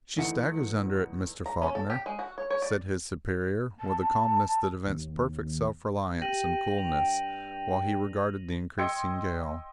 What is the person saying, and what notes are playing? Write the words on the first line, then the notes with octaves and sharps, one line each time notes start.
"She staggers under it, Mr. Faulkner," said his superior, with a calmness that evinced perfect self-reliance and coolness, while he regarded the increasing gale.
E2 A3 D#4 E4 F#5 C#7
A#5
C#4
A4
G4
G#3
F#4
C#5
C#5
D5
A5
D#2
G4 G5 A#6 D#7 F#7
G2 F7
D#5 G5 C6 E6 G#6 C#7